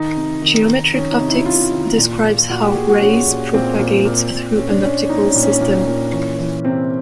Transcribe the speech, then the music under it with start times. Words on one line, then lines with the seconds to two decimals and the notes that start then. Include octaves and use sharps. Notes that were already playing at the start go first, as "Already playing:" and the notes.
Geometric optics describes how rays propagate through an optical system.
Already playing: D#3 D#4
0.16 C3
0.42 D#3
0.68 D#3
0.94 D#3 C#4
1.11 D#4
1.20 C3
1.29 E4
1.46 C3 F4
1.72 D#3
1.98 A#2
2.24 A#2
2.49 A#2 F#4
2.62 G4
2.76 A#2 G#4
2.89 F#4
3.01 A#2 C#4
3.28 A#2
3.54 A#2 C4
3.79 A#2
4.05 A#2
4.31 A#2
4.57 A#2 C#4
4.69 D4
4.82 A#2 C#4
5.09 A#2 D#4
5.26 C#4
5.35 A#2
5.43 C#4
5.61 A#2
5.87 A#2
6.12 E3 C#4
6.39 E3
6.65 C3 C4